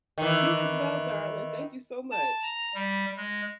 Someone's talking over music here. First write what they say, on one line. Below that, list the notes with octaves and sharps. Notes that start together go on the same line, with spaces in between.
You as well, darling, thank you so much.
D#3 E3
A5
A#5
G3
G#3